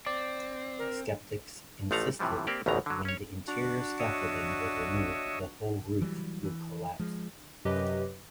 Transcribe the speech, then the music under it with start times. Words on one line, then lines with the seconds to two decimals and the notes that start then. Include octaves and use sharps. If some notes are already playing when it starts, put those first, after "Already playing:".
Skeptics insisted that when the interior scaffolding was removed, the whole roof would collapse.
0.06 C4 D5
0.79 A#4
1.91 A1 F3 A3 F5 F#5 A#5
2.19 A2 C3 E3 F3 G3
2.47 A#3 C4 G4 D5
2.66 A1 D2 B2 D#3 E3 A#5
2.86 D3 F#3
3.05 C#4 C#5
3.47 D4 F#4
3.99 C#5 D#5 E5
6.01 E3 F#3 G3
6.43 E3
6.99 F3 G#3
7.65 F#2 C3 F#3 G4 B4 D#5